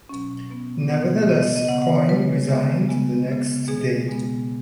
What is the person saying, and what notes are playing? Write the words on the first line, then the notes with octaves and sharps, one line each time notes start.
Nevertheless, Coyne resigned the next day.
B2 F#3 C#4
B2 B3
B2 B3 F#5
C#3 B3 D#5
D#5
D#5
C#3 B3 F#5
F#5
C#5
C#3 G#3 B3 B4
C#3 G#3 B3
C#3 G#3 B3
C#3 G#3 B3
B2 G#3 B3 G#4
B2 G#3 B3